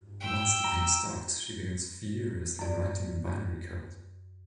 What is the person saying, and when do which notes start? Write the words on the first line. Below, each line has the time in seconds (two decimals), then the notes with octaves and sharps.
Once the pain starts she begins furiously writing in binary code.
0.20 G5 E6
0.64 A#5
2.59 F#2 D5